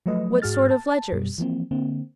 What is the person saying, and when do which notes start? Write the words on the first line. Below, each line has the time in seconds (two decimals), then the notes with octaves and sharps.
"What sort of ledgers?"
0.06 F3 F#3 A3 B4 D#5
0.42 G#2 F#4 G#4 F6 A6
0.71 A5
1.12 F#2 B2 G3
1.38 E3 F3 A#3 C4
1.71 D3 A#3 C4